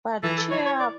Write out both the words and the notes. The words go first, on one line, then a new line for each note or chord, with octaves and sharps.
But cheer up!
E3 A4
A4
E3 C#5
C#5
D5